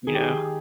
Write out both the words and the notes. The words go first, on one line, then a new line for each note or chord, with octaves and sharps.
You know?
D#3 G#4
G4
G#4
D#3